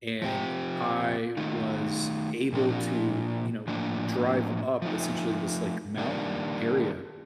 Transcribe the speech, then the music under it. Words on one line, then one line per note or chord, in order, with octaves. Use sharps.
and I was able to, you know, drive up essentially this, like, mountain area,
F3 C4 G4
D#3 A3 D#4
A#2 F3 A#3 D4
A2 F3 A#3 D4
F3 A3 D#4
D#3 G3 A#3 D4